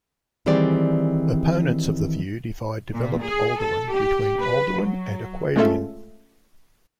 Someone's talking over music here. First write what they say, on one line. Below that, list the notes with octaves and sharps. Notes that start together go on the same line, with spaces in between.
Opponents of the view divide Developed Oldowan between Oldowan and Acheulean.
D#3 E3 G3 C4 G#4 D5
A#2
G#4
A4
G4
B4
F#3
G#3 A3 C#4 F4 A4 E5